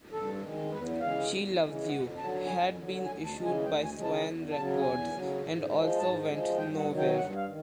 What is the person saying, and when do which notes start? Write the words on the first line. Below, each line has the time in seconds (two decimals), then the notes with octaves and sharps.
"She Loves You" had been issued by Swan Records and also went nowhere.
0.12 G2 A4
0.41 D#3 G#3
0.71 E2 B4
1.00 C#3 E3 G#3 F5
1.29 E2
1.59 C#3 E3 G#3
1.88 F2 F#5
2.17 D3 F#3 A5
2.47 F2 G#5
2.76 D3 F#3
3.05 D2 G#5
3.25 A5
3.35 C#3 E3 G#3
3.45 G#5
3.64 D2 G5
3.83 G#5
3.93 C#3 E3 G#3
4.03 A5
4.23 E2
4.52 C#3 F#3 A5
4.81 E2 G#5
5.11 C#3 F#3
5.40 G#2
5.69 F3 G#3
5.99 G#2 A5
6.28 F3 G#3
6.57 G2 G5
6.77 F#5
6.87 D#3 F#3
6.97 G5
7.17 G2 F#5
7.36 F5
7.46 D#3